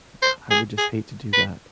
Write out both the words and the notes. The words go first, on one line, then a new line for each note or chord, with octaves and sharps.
I I would just hate to do that.
C5
G#4
G#4
B4